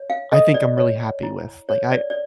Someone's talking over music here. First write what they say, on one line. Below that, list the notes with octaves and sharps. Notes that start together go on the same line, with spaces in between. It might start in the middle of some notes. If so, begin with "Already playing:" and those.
I think I'm really happy with, like, I
Already playing: C#5
F5
A4 D#5
D5
C#5
E4
C#5
D5
D5